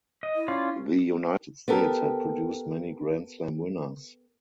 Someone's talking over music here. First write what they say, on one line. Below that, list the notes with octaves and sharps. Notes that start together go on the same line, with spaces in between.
The United States has produced many grand slam winners.
D#5
E4
C#4 F4 D5
B3 G4 A4 A#4